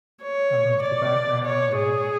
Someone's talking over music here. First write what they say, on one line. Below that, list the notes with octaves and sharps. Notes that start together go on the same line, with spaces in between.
amongst the background, and
C#5
D5
C#5
G#4